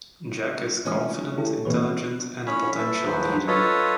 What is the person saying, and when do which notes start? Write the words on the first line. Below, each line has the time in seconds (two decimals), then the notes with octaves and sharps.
Jack is confident, intelligent and a potential leader.
0.85 D2 E3 G#3 C#4 G#5 D#6
1.37 E4 G4 A4
1.65 A#1 C3 E3 G4 B4 C#5
2.47 C#4 C#5 B5
2.78 A4 B4 E5
3.05 D#2 G#2 F3 F#3 B4 C5
3.47 F4 A4 B4 C#5 D#5